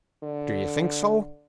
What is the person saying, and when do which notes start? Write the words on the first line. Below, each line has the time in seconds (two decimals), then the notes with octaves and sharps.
"Do you think so?"
0.23 D3